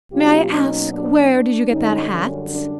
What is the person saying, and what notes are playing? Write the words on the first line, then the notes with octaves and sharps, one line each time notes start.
"May I ask where did you get that hat?"
B2 F#3 A#3 C#4 F4 G4
C#4 D#4
D4
D4
F#2 D3 G3 C#4 D#4
C#4
D4